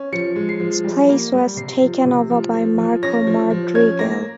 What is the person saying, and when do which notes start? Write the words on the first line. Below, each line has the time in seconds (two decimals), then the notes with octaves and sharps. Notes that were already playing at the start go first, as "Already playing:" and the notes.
His place was taken over by Marco Madrigal.
Already playing: C#4
0.12 F3 C#7
0.36 G#3
0.49 C7
0.60 F3
0.84 G3
1.09 A#3
1.33 G3
1.57 C3 C7
1.82 F3
2.05 C3
2.30 F3
2.54 F3
2.78 F3
3.03 C#4 A#6
3.27 F3
3.50 F3
3.75 C#4 G#6
3.99 A#3 A#6